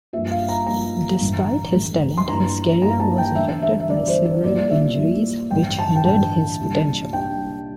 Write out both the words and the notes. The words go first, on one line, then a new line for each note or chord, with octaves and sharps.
Despite his talent, his career was affected by several injuries, which hindered his potential.
G2 F3 A#3 F4 E5
F5
A#5
G2 F3 A#3 F4 A#5
A1 G2 D3 A3
A1 G2 D3 A3
C6
G2 F3 A#3 E4 A#5
G2 F3 A#3 E4 A#5
A5
G5
E2 D3 A3 E5
E5
E5
E2 D3 A3 D5
C5
C5
A#1 A#2 G3 A#3 E4 D5
E5
A#1 A#2 G3 A#3 E4
A1 G2 D3 G5
A5
G5
A1 G2 D3 A5
C2 A#2 G3 D4
C2 A#2 G3 D4 G5